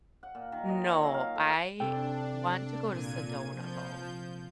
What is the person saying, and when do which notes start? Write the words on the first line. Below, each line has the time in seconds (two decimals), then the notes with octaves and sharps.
No. I want to go to Sedona, though,
0.23 F#5
0.35 A#2
0.52 D#3
0.69 D#5
0.85 C#5
1.03 F#3
1.14 F5
1.36 A3
1.80 C3 D4 A4 G5
2.84 A#2 G#6 D#7
3.51 F3 G6